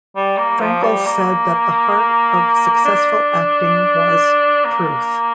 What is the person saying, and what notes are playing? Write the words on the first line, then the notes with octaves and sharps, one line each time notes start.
Frankel said that the heart of successful acting was, Truth.
G3
A#3
F3
G3
A#3
D4
A#3